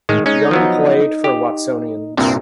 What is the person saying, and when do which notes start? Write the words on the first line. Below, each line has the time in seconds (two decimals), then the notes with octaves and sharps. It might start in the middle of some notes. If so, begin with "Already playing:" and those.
Young played for Watsonians.
0.09 A2 D#3 G#3
0.26 G#3 C#4 D#4
0.51 F3 F#3 B3
1.24 G4
2.17 C2 G2 A#2 C4